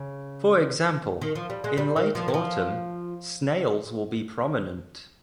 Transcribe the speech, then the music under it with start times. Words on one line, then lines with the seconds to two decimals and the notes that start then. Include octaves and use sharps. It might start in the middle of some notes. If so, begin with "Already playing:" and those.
For example, in late autumn, snails will be prominent.
Already playing: C#3
1.21 D#3
1.35 F3
1.50 G3
1.64 G#3
1.78 G3
1.96 D#3
2.15 F3
2.28 D#3
2.34 F3